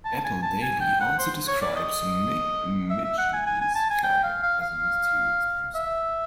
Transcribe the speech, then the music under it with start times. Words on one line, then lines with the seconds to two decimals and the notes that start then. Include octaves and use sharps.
Apple Daily also describes Midgley's client as a 'mysterious person'.
0.05 A5
0.24 G#5
0.42 A5
0.62 G#5
0.81 G5
1.00 F#5
1.19 C5
1.47 C#5
1.61 D5
1.76 D#5
2.90 E5
3.04 E5
3.18 F#5
3.33 G#5
3.46 G#5
3.61 G#5
3.75 A5
3.90 G#5
4.04 G5
4.23 F5
4.43 F5
4.61 F5
5.75 E5